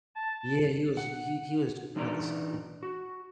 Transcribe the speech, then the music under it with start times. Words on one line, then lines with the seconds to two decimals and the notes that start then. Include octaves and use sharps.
Yeah, he was he he was just not the same.
0.15 A5
0.97 F#5
1.96 E3 D4 D#4 D5 A5 A#5
2.83 F#4